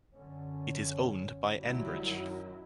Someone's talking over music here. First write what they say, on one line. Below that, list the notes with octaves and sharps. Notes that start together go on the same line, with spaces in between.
It is owned by Enbridge.
F#2 D3 C#4
D2 F#3 G3 D#4 E4
F#2 D#3